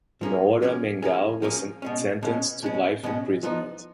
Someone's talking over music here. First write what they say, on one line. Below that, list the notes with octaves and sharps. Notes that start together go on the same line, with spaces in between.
Noora Mengal was sentenced to life imprisonment.
F3 A#3 C#4 G#4
F3 A#3 C#4 G#4
F3 A#3 C#4 G#4
F3 A#3 C#4 G#4
B2 G#3 C#4
B2 G#3 C#4
B2 G#3 C#4
B2 G#3 C#4
F3 B3 D#4